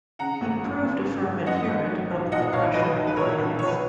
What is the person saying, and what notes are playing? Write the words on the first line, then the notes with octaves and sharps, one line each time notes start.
He proved a firm adherent of the Prussian alliance.
C#3 F#5 A#5
G#1
F#2
G#1
C#3
G#1
F#2 D#5 F#5
G#1
F#3
B1
A#2 D#5 F#5
B1 C#5 F5
F#3 B4 D#5
B1
B4
A#2 A#4 C#5
B1
F3 C#5
B4